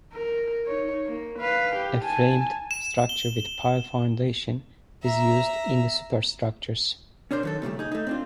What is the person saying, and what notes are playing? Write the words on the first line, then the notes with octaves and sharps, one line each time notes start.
A framed structure with pile foundation is used in the superstructures.
A#4
D#4 C#5
A#3
B4 F5
G4
G#5 A5
E7
G7
E5 A#5
C#4 D4 A#4 C5
D#3 F#3 A4
A#2 C#3 G3 A3
D#4 G#4
A3 D#4
C4 D4 F4